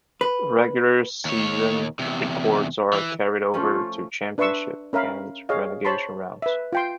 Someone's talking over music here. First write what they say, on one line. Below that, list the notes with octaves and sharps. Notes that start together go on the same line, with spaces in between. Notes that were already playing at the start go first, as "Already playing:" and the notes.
Regular season records are carried over to championship and relegation rounds.
B4
D#2 C#5
E2 C3
E3
F3 A3 C#4 F4
D4 B4 E5 C6 C#6 E6
C#4 A#4 E5 F5 B5
G#4 C#5 D#5 F5
C5 C#5 A5 B5 C6
B4 E5
F4 G5 C6